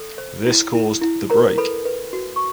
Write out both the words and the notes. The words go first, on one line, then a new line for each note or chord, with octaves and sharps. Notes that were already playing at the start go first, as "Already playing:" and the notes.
This caused the break.
Already playing: A4
C5
E4
E4
E4
A#4 C5 A#5
A4 B4 B5
B4
F#4
C#6